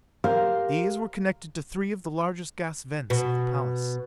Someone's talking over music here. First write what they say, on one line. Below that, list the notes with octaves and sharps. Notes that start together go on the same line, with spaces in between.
These were connected to three of the largest gas vents of the palace.
G4 A#4 C5 F5
B2